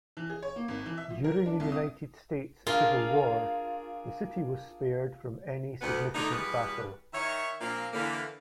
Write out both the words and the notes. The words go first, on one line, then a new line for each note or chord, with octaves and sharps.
During the United States Civil War, the city was spared from any significant battle.
E3
G#4
C#5
A#3
G#1
E3
E5
F3
A#4
D4
C2
D#6
D4 F4 G#4 A#4
D2 B3
D3 A3 B3 D#4
E2 B2 G3 B3 B4
D#3 C#5 E5
A#2 F3 A#3 C4 D4 F4
D3 E3 A#3